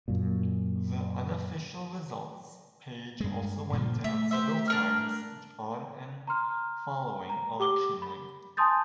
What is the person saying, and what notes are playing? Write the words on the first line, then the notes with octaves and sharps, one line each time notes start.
The unofficial results page also went down several times on and following election night.
F#2 A#2
G2 G#3
A#2 C#3 F3
A3 E5
G4 C5 E5
D4 A#4 F6
A#5 C6 F6
A#5
G4 D6 G7
B5
G#5 A5 C6 D#6 G6 A6